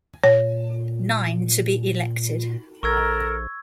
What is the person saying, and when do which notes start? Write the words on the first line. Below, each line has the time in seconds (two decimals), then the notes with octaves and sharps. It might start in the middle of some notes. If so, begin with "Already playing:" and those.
Nine to be elected.
0.24 A#2 C#5
2.83 A#1 A4 A#4 C#6 E6 G#6